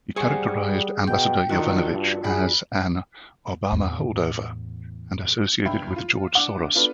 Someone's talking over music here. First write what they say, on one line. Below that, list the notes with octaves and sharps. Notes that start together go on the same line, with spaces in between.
He characterized Ambassador Yovanovitch as an "Obama holdover" and associated with George Soros.
G3 G#4 C5 F#5 G#5 C#6
B2 G5
D#3 D4 F4 F#4 F#5
G2
G#4 B5
E2 A2
C#2 G2 E5 G5 B5
F4
D4 F#5 D6 E7
B3 D4 F4 A4 B4